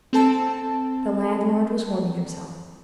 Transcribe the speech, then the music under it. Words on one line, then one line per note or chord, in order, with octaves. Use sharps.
The landlord was warming himself.
C4 A4 A5